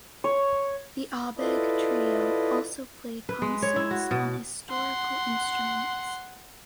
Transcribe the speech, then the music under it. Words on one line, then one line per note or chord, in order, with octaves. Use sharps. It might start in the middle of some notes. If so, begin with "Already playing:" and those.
The Abegg Trio also played concerts on historical instruments.
C#5
E4 F4 A4 B4 D5 D#5
B4
G#3
C#5
E4
F#4
B2
F#5 C6